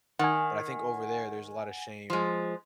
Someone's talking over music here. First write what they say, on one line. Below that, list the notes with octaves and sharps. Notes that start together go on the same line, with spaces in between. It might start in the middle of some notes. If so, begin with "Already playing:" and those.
but I think over there, there's a lotta shame
D#3 F#5 G#5
F3 G#3